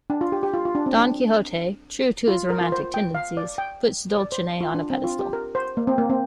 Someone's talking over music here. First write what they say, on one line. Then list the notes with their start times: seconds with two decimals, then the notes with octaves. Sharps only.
Don Quixote, true to his romantic tendencies, puts Dulcinea on a pedestal.
0.10 D4
0.21 F4
0.32 G4
0.43 G4
0.54 F4
0.65 F4
0.75 D4
0.86 C4
0.97 D4
2.28 F4
2.50 A#4
2.61 F4
2.72 C5
2.94 G5
3.15 F5
3.37 D5
3.58 G5
4.17 D5
4.32 C5
4.61 F4
4.74 D4
4.90 C4
5.04 F4
5.19 G4
5.33 A#4
5.55 C5
5.77 A#3
5.87 C4
5.98 A#3
6.09 C4